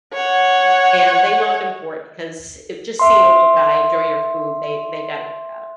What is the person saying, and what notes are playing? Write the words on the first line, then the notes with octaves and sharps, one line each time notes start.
and they loved him for it because it just seeing a little guy enjoy your food, they they got a kick out of it.
C#5 F#5
E5 C6